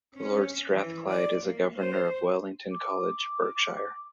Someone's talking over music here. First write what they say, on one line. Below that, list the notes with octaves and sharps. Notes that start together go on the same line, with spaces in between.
Lord Strathclyde is a Governor of Wellington College, Berkshire.
C#4
E3
D5
A#3
C5
D6